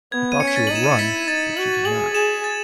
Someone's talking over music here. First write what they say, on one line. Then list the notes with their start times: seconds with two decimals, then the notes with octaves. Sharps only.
I thought she would run, but she did not.
0.12 B3 G#6
0.32 D#7
0.40 C#4 C#7
0.47 B6
0.56 A6
0.67 D#4 F#7
0.75 E7
0.84 D#7
0.92 C#7
0.99 E4 B6
1.28 D#4 A6
1.57 F#4 F#7
1.85 G#4 F#7
2.14 G#4 E7
2.44 A6